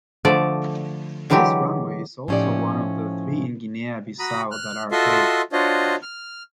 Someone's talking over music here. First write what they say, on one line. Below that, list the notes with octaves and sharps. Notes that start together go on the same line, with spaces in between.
This runway is also one of the three in Guinea-Bissau that are paved.
D3 F3 A3 D5
D3 E3 F#3 G#3 G4
A2 F3 C#4 D#4 G4 D5
F#4 A#5 B5 D#6
F6 F#6
F4 F#4 A4 D#5 E5 C6
D4 F4 F#4 C5 C#5 D#5
F6